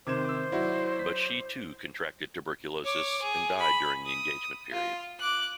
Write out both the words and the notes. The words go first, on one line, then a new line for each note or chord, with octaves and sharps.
But she, too, contracted tuberculosis, and died during the engagement period.
C3 D#3 C5 D6 G#6 E7
D6 E6
F#3 E4 F#4 D5
B6
C#5 D6
G#4
B5
D#6
F4
D6 F#6